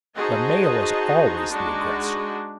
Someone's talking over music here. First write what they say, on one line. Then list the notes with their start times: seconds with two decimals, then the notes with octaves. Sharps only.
The male is always the aggressor.
0.15 D#4 F#4 G#4 C5 D#5 A5
1.50 G#3 D4 D#4 F#4